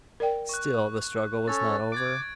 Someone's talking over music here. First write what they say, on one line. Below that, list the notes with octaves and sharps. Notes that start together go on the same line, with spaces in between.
Still the struggle was not over.
A#4 D5 G5
C#6 F#6
C#4 A4 C#5 A6
D6 G#6 A6 D7